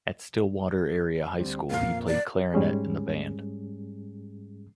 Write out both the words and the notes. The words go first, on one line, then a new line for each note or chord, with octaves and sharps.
At Stillwater Area High School, he played clarinet in the band.
D2 G3 C4
F2 A#2 A#3 F5
D5
G#2 G3 G#3 C#4 G#4